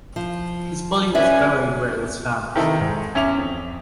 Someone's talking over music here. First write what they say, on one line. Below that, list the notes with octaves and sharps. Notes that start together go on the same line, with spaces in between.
His body was buried where it was found.
F3
C#4 B4 D5 E5 G#5
C3 D#3 E3 D#4 E4 A4
G#2
E2 C#4 E5 D6 F7
F2